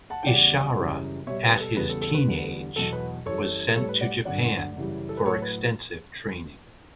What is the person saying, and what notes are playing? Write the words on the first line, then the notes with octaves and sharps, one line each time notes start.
Ishara at his teenage was sent to Japan for extensive training.
F#5 A5
G5
E2 C#3 G3 D5 F#5
F#2 C#3 E3 G3
B2 G3 C#5 E5
B4
A4
E2 C#3 G3 B4
A4
A4
B4
E2 D3 G3
E2 B2 F#3 A4
B4
F#2 E3 G3 A4 C#5
A2 G3 A4 C#5
B4
D5 F#5
G2 D3 F#3 D5 F#5
F#2 C#3 E3 G3
A4
B4
A2 F#3 A4 C#5
B4